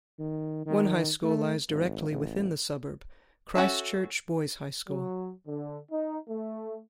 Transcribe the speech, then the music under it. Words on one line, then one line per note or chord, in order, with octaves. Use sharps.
One high school lies directly within the suburb - Christchurch Boys' High School.
D#3
D#3
A3
G#1
A1
C#4 F#4 A4 E5
F#3
D3
D#4
A3